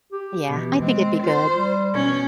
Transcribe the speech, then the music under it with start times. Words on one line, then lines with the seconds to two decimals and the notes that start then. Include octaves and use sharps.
Yeah, I think it'd be good.
0.12 G4
0.49 B2 E3
0.81 G#3 C4
1.23 F4 C5
1.57 G3
1.93 B2 C#4